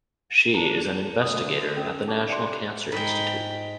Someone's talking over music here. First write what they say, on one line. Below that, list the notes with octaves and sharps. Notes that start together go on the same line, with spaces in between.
She is an investigator at the National Cancer Institute.
D4 A5 A#5
D2 D3 A4 D#6
C#4 A#4
D#4 G#4
G4 D5 E5 C6 F#6
G#2 G#3 G5 B5